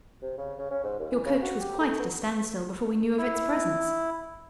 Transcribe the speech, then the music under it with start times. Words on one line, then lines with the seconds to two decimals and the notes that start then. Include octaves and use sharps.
Your coach was quite at a standstill before we knew of its presence.
0.22 C3
0.38 C#3
0.59 C#3
0.71 C#4
0.84 G#2
0.99 D#2
1.11 E3
1.25 C#3
1.42 F#4
1.60 G4
1.79 A3
1.99 B3
3.18 E4